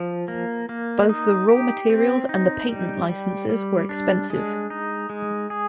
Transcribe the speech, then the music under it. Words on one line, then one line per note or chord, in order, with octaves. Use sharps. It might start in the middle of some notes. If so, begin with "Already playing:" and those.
Both the raw materials and the patent licenses were expensive.
Already playing: F3
A#3
A#3
D#4
G4
C4
D#4
G3
G3
G3
D4
G#3
D#4
G#3
G#4